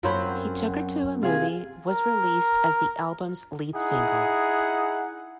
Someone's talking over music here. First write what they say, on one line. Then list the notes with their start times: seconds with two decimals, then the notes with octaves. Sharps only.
"He Took Her to a Movie" was released as the album's lead single.
0.03 F#2 C4 F4 C#5 B5
1.23 C3 F4 G#4 G#5
1.89 A#4
3.74 D#4 E4 G#4 F#5